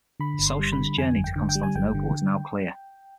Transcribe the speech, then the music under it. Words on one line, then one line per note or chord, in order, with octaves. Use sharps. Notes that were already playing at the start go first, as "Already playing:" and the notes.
Souchon's journey to Constantinople was now clear.
D3 B5
G1
C6
G3
B5
D3
F2 G#5
G1
G5
D3
G5
G3
G#5
G1 G5
D3